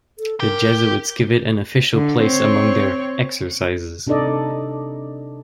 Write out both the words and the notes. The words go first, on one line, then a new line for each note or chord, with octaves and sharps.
The Jesuits give it an official place among their "exercises".
A4
G4 A#4
D3
C4 C#5
C3 D4 D#4 A4 D5 D#5